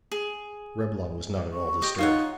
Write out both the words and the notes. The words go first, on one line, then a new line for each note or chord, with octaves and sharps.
Reblong was not at all disturbed.
G#4
C#6
G4 D#5
D#4 F4 C#5 F#5